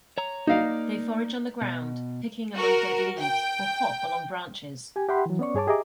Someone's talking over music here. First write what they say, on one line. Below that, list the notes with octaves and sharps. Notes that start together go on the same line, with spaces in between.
They forage on the ground, picking among dead leaves, or hop along branches.
C#5 A#5
A#3 D#4 D5 F5
B2
F#4 A#4
G5
G4 G#5
G4 E5 F#5 G5 B5 C6
E3 F#3
B3 C#4 D5 C#6
G2 G#4 C#5 A5 D6
G4 G#4 D#5 E5 A#5 D6